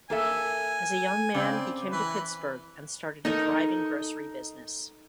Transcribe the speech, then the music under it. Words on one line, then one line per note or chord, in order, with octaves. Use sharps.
As a young man he came to Pittsburgh and started a thriving grocery business.
A#3 A4 E5 G#5
C#3 C4 D5
E3 B4
D#4 A4 A#4